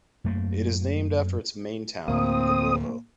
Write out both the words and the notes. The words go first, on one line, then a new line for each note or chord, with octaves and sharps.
It is named after its main town - Gabrovo.
F#2 A3 A#3
D2 A2 A#3 C4 D#6